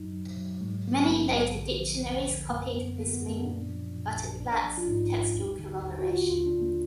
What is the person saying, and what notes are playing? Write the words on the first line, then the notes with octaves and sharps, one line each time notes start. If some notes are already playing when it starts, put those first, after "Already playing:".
Many later dictionaries copied this meaning, but it lacks textual corroboration.
Already playing: F#2 F#3 D#4
F#3
F#3
G#2 G#3
F#3 A#3
B3
A#1 A#3
A#1
D3
F3
D#2
D3
F#2 A#3
F#2 B3
D3 A#3
B3
F#2
A#3
B3
A#2 D4
F3
A#2
A#1
G#1 D4
F3
F4
G#2 D#4
G#1
D#2
D3
D#2
F#4
D3 F4
D#2 F4
D4
D#2
A#3